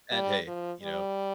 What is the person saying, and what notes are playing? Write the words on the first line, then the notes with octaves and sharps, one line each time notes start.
And, hey. You know?
G3
F3
G3